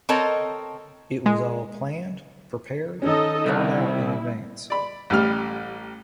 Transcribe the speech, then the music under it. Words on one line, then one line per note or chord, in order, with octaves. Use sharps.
It was all planned, prepared, thought out in advance.
C4 A4 A#4 C#5 D#5 A5
G#3
D#3 C#4 D#4 A4 D#5
C2 E4
D5 B5
A1 G3 F6